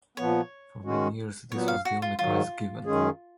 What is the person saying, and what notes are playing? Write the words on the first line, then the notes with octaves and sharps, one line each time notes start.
For many years, this was the only prize given.
A#2 F3 B3 C#5
D#3 G#3 C#4 F#4
A#2 F#3 B3 C#5
F5
F#4
F4
G#2 D#3 F#3 F4
F#2 D#3 G#3 C#4 G#4